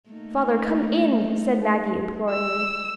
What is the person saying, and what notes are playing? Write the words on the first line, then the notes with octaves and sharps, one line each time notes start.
"Father, come in!" said Maggie, imploringly.
A3 A#3 D#4
E6